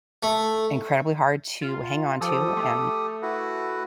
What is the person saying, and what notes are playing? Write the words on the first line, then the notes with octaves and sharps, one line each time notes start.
incredibly hard to hang on to, and
A3
F4
F3 G4 A4 D#6
A3
E4 F#4 B4